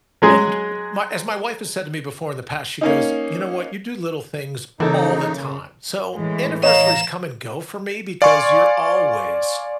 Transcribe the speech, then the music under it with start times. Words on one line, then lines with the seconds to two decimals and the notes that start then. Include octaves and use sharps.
and my as my wife has said to me before in the past, she goes, you know what, you do little things all the time. So, anniversaries come and go for me because you're always
0.22 F#3 G#3 G#4
2.81 A#3 C#4 D#4
4.80 C#3 E3 A#3 D#4 A4
6.14 A2 E3 G#3
6.63 C#5 D#5 F5 A#5 E7
8.22 D5 F5 G#5 C6 C#6